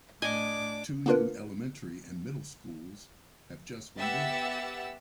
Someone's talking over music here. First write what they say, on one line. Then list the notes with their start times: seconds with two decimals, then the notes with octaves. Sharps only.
Two new elementary and middle schools have just been built.
0.22 A2 D4 D#5 G#5 D6
1.06 A#3 B3 D4 F4 A#4 B4
3.98 B3 G4 E5 F#5 E6 A6